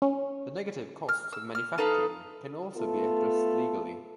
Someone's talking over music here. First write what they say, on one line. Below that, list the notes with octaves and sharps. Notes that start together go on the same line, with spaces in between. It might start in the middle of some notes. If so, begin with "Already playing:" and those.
The negative costs of manufacturing can also be addressed legally.
C#4
F6
E6
F6
D#4 A4 B4 F5
A3 B3 F4 A4